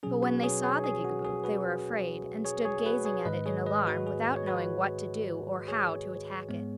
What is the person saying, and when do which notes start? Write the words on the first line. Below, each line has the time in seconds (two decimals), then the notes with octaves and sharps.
But when they saw the Gigaboo they were afraid, and stood gazing at it in alarm, without knowing what to do or how to attack it.
0.03 B2 F#3 C#4 G#4
0.23 F#4 B4
0.43 G#4 C#5
0.63 G#4 C#5
0.84 G#4
1.05 F#4
1.25 G#4
1.44 F#4 B4
2.45 G#4 C#5
2.65 G#4 C#5
2.86 F#4 B4
3.05 G#4 C#5
3.25 G#2 D#3 G#3 B4 D#5
3.46 G#4 C#5
3.66 B4 D#5
3.86 F#4 B4
4.06 G#4
4.36 C#5
4.47 F#4 B4
5.68 G#4 C#5
6.49 G#2 G#3 B3